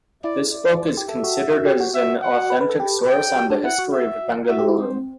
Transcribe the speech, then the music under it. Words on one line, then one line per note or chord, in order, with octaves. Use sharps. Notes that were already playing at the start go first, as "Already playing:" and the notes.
This book is considered as an authentic source on the history of Bengaluru.
E4 D5
D5
G4
A4 E5
F#4
F#4
F#4
G4
F#4
E5
F#5
B4
B4
A4
G4
G5
F#4
D4
E4 F#5
F#4
E5
F#4 E5
G4
E4
C4 C5